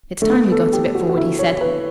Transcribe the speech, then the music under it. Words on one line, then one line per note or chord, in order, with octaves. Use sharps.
"It's time we got a bit forward," he said.
A3
B3
A4
G4
F#4
F#4
E4
C#5
B4